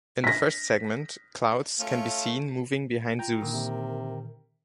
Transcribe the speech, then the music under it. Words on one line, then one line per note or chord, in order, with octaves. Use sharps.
In the first segment, clouds can be seen moving behind Zeus.
A#6 B6
A3 C#4 F4
F4 G5 A#5
A#2 D3 D#3 A#4
C3